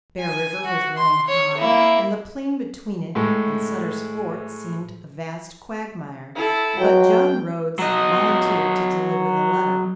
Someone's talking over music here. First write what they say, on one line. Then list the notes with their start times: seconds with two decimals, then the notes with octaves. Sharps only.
Bear River was running high, and the plain between it and Sutter's Fort seemed a vast quagmire, but John Rhodes volunteered to deliver the letter.
0.20 G#5
0.65 F#4
0.96 C6
1.28 C#5
1.57 A#3 E4
3.15 A2 G#3 A3
6.35 E4 A4
6.79 F#3 G5
7.79 F#3 D#5